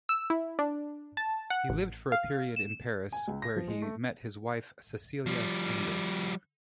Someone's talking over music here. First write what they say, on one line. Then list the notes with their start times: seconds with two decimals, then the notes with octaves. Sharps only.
He lived for a period in Paris, where he met his wife, Cecilia Enger.
0.09 E6
0.30 E4
0.59 D4
1.17 A5
1.50 F#5
1.69 A1
2.12 F5
2.56 E7
3.12 G#5
3.28 C#2
3.42 A#6
3.56 F3
3.68 G#3
3.82 A3
5.26 F3 G3